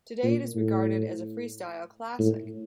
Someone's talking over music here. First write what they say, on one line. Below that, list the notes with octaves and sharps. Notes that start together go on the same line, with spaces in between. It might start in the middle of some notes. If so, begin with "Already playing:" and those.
Today, it is regarded as a freestyle classic.
A#2
A2
A2